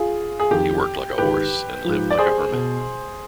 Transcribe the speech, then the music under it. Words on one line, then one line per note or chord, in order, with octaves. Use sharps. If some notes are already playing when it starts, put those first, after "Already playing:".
He worked like a horse and lived like a hermit.
Already playing: F4 G#4
G#4
F2 D#3 G4
G#2 D#3 G4 B4
G#2 F3
D5
G#4 C5
B2